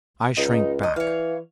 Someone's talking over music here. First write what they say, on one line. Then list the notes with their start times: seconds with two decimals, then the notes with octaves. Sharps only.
I shrank back.
0.37 C#2 D#4
0.83 D#5
0.96 E3 C#5 F5